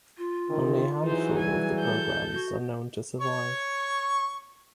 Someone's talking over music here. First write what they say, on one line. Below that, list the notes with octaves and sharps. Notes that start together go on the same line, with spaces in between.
Only a handful of the programmes are known to survive.
F4
D3 D#3
E3 F#3 D#4 G#4 C5
G3 G#5
A4 G6
F#4
C#5 C#6